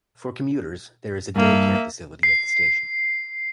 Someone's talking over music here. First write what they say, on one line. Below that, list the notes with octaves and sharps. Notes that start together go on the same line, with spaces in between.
For commuters, there is a day care facility at the station.
G2 A#3 E5
C7